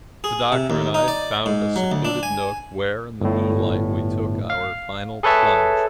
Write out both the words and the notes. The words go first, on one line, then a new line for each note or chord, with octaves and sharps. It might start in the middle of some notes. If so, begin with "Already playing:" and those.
The Doctor and I found a secluded nook, where in the moonlight we took our final plunge.
G#4
C3
D#2
D#4
D5
G#2
F#3
D2
D4
G#5
G1 A2
F5
G#4 A4 B4 C#5 E5 A5